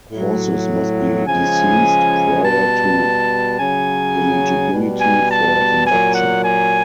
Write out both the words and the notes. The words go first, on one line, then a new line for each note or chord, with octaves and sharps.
Horses must be deceased prior to eligibility for induction.
A2 F#3
C#3 F3 G#3 G#5
B2 G3 A5
C#3 F#3 G#5
B2 G3
G#5
A5
A#2 F#3 G#5
F#5
G#5